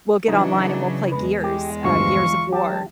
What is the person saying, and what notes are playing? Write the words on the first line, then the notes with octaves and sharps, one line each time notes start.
we'll get online and we'll play Gears, uh, Gears of War,
C#3 E3 F#3 D4 D#4
E2 G#3 B4
G4
D2 G2 F3 F4 F5 C#6
F#3 G4 A5